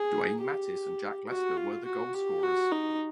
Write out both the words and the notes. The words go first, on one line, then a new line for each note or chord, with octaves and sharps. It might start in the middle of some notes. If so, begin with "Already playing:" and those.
Dwayne Mattis and Jack Lester were the goalscorers.
Already playing: G#4
G4
F#4
F4
F#4
G4
F#4
D#4